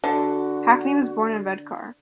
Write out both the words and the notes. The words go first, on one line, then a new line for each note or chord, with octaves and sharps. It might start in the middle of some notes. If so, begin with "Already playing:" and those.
Hackney was born in Redcar.
D3 F#4